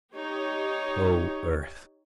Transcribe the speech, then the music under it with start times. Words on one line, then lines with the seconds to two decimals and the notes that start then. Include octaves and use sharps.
Oh, earth!
0.15 D#4 G4 C#5